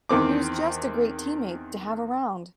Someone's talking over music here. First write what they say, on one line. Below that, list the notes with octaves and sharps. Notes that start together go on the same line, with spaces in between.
He was just a great teammate to have around.
E2 D#3 C4 D6